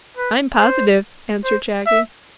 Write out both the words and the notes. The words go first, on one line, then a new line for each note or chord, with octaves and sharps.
"I'm positive," answered Shaggy.
B4
C5
C5
E5